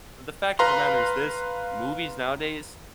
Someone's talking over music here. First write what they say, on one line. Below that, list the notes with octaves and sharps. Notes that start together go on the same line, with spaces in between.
but the fact of the matter is this, movies nowadays,
B4 F5 A#5 C6